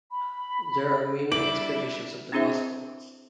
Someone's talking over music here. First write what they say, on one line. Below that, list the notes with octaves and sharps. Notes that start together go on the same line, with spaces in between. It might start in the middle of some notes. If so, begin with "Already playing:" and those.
There are many explanations of the gospel.
B5
G3 D4 E4 D6 F#7
C4 D4 E4 G#4 C5 E5